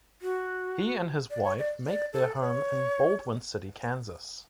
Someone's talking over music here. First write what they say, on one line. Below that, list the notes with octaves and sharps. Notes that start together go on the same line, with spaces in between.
He and his wife make their home in Baldwin City, Kansas.
F#4
D5
C#5
D5
D5
A4
C#5